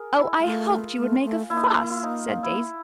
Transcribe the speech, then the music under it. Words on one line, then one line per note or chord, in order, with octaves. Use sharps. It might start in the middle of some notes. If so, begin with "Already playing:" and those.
"Oh, I hoped you would make a fuss!" said Daisy.
Already playing: G#4 A#4
E4
G#3
A3 F4
A3
A3
A#3 E4
D#4
E4
E4
F4
D#4
F4
E4